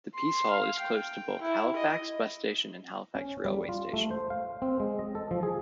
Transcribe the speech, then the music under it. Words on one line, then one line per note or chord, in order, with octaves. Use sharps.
The Piece Hall is close to both Halifax bus station and Halifax railway station.
C6
F5
G5
E4
D#5
C#4
G3
F4
A3
C5
F5
C4
G#3
D#5
A4
F3
G#4